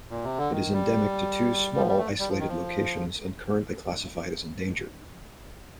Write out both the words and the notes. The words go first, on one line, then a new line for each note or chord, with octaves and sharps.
It is endemic to two small, isolated locations and currently classified as endangered.
A#2
C3
D3
D#3
G3
F3
G3
A3
G3
F3
D#3
F3